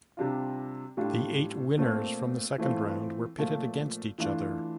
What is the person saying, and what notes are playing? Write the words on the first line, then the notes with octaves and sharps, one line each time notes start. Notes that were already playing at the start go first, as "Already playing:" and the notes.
The eight winners from the second round were pitted against each other.
C3 G3 D4 F4
A2 G3 D4 F4
A#2 A3 C4
E3 A3 C4 F4
A#2 F3 A3
E3 A3 D4 F4